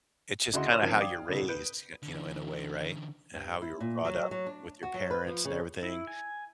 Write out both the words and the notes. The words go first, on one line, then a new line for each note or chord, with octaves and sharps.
It's just kinda how you're raised, you you know, in a way, right? And how you're brought up with your parents and everything.
D2 C#3 E4 F#4 D#5 C6
A#4 C#5 D5 C6 F6
F#2 D#3 F3 C4 A#4 G#6
D5 F5 G5 D6 D#6
D2 A2 C3
B4 G6 D7
D3 E3
G2
E4
A#2
F#3
F#3
D4
F#4
F#3
B4
F3
C#3
E4
G#5